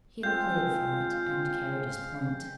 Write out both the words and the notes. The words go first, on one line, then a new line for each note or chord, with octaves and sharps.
He had played for it, and carried his point.
G#3 C4 F4 F5 G6